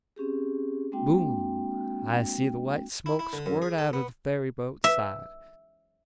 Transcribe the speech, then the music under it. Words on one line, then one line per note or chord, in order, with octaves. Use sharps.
"Boom!" I see the white smoke squirt out of the ferryboat's side.
C4 C#4 G4 G#4
G#3 A#3 C4 D4 F#4 G5
E4
E4
D3
F#2
G#4
A4
B3
E5